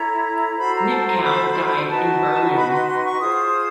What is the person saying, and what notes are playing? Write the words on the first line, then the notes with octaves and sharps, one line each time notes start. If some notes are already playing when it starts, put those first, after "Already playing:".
Nipkow died in Berlin.
Already playing: E4 A4 C#5 A#5
F#4 A4 C5 B5
A#5
A5
A#5
B5
D#4 F#4 B4 A5
B5
C6
C6
C#6
F4 G#4 C5 D#6